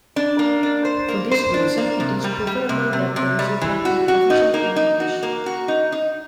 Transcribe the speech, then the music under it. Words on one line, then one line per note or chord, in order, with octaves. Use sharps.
For this reason, it is preferable that the recipient be proficient in English.
D4
A#3
D4
C5
A#3
C5
D4
A#3
C3
G3
G3
C3
C3
C3
G3
E3
F#4
F#4
D#4
A#3
D#4
F#4
A#3
F#4
D#4
D#4